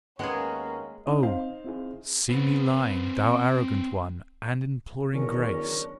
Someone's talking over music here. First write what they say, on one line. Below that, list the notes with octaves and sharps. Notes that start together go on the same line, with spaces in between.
Oh, see me lying, thou arrogant one, and imploring grace!
D#2 G#3 A#3 B3 C#4 G#4 F#5
C#4 D#4 D#5
C4 D#4 C5 F5
C4 E4 G#4
C4 B4
E2 D#3 F#3 C#4 D4 G#4 A#4